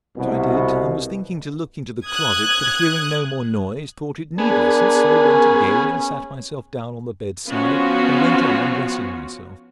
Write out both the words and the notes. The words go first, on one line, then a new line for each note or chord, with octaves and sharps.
So I did, and was thinking to look into the closet; but, hearing no more noise, thought it needless, and so went again and sat myself down on the bed-side, and went on undressing myself.
C2 B2
D#6 F#6 G#6
B3 D4 G#4 A#4
C#4
F3 B3 C#4 F4 F#4